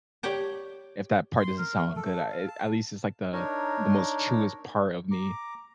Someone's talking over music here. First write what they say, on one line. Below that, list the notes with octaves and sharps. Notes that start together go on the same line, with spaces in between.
if that part doesn't sound good, I, eh, at least it's, like, the the most truest part of me,
G4 C#5 D5 G5 A5
C6
A#4
A3
A4
F5
A5
D4 D#4 A#4 C#5
A#5 D6